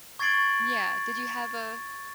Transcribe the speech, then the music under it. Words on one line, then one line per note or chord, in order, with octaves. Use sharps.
yeah. Did you have a
C#6 G#6 A6 C7 D7 F#7